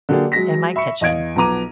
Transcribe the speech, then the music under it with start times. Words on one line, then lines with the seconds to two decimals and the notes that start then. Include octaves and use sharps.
in my kitchen
0.09 D3 F#3 A#3 G4 G#4 D5
0.32 F#3 G#3 A#6 B6
0.76 E5 B5 C#6 C#7
1.01 E2 D#5 F5 G#6 D7
1.36 B1 F3 B3 A#5 D6 D#7